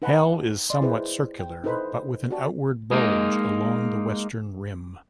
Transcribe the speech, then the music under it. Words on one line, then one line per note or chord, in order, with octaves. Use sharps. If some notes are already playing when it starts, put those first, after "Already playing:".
Hell is somewhat circular but with an outward bulge along the western rim.
D#4 B4 F#5 G#5 A5 B5
D5 D#5 C6
E4 G#4 B4 C5
G5
D#4 E4 A4 B4 C5 B5
F#4 G4 D5 A5
G#3 A#3 D#4